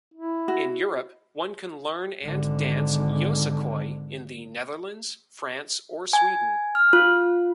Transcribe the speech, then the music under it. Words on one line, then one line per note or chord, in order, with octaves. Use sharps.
In Europe, one can learn and dance Yosakoi in the Netherlands, France or Sweden.
E4
F#4
G#1 D3
G#5
F6
F4